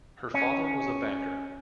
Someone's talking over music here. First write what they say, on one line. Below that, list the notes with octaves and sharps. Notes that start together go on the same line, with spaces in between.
Her father was a banker.
C#4